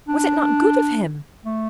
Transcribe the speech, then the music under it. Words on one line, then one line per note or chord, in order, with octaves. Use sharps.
Was it not good of him?'
D4
A3